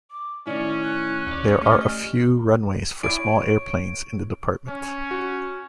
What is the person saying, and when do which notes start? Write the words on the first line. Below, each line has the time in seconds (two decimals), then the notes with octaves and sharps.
There are a few runways for small airplanes in the department.
0.10 D6
0.47 A2 D#3 C#4 E4 D5
0.83 F#6
1.27 D#2 C#5 D5
1.62 A3 G4 D5 D#5 F6
3.03 E4 C#5 D5 G#5 D7
4.68 C#4
5.11 F#4